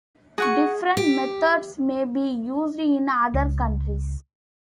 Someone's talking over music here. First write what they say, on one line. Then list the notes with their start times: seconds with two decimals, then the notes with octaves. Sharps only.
Different methods may be used in other countries.
0.38 F#4 G#4 F#5 C#6
0.97 G4
3.34 C#2